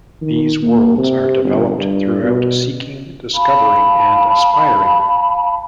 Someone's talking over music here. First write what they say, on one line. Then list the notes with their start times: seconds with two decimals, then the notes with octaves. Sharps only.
These worlds are developed through seeking, discovering and aspiring.
0.21 D#3
0.62 A#3
0.98 C3
1.45 G1
1.78 G2
2.22 B2
3.35 F5 A5 B5